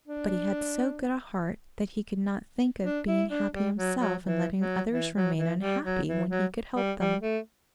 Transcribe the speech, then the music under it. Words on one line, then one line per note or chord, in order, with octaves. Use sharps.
But he had so good a heart that he could not think of being happy himself and letting others remain unhappy, when he could help them.
D4
D4
E4
D4
G3
F#3
F#3
E3
F#3
E3
F#3
E3
G3
F#3
E3
F#3
G3
G3
A3